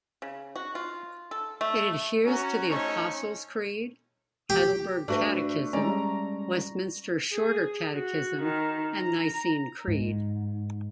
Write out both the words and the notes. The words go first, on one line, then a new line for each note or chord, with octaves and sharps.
It adheres to the Apostles Creed, Heidelberg Catechism, Westminster Shorter Catechism and Nicene Creed.
C#3
F#4
F4
A4
A3
C#4 F#4 A#5
A3 C#4 D#4 C5 C#5 C#6
G4
A3 D4 F#4 B4
G3 G#3 C#4 D5 A#5
G#4
F#4
D#3
A#5
G#2